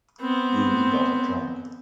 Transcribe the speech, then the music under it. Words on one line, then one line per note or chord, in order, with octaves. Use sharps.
Rhun got her drunk.
B3 C4